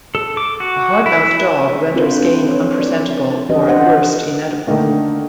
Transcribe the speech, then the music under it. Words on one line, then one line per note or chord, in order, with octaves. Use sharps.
A hard-mouthed dog renders game unpresentable or at worst inedible.
A4
D6
F#4
E4
C4 D4 F4 A4 B4 C5
F3 C4 C#5
D5
E3 C#4 D4 G4 B4 D#5
D4 C5 D#5 F#5
D3 D#3 A3 A#3 D#4